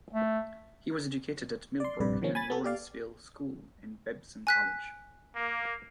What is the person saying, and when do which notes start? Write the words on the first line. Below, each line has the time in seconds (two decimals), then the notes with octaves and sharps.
He was educated at Millbrook and Lawrenceville Schools and Babson College.
0.13 A3
1.80 D5 C6
2.00 A#1 G2 C3 B4 D5
2.22 C3 D#3 F3 A#3 C#4
2.35 G#5 B5 A6
2.50 B3 A4
2.64 G4 D5 F5
4.47 G#5 F#6 B6
5.36 A#3